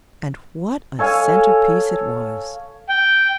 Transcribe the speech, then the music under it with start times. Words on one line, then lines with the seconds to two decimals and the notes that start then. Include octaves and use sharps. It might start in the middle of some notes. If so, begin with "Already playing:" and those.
And what a centrepiece it was!
0.99 A4 C#5 F5 G#5
2.89 G5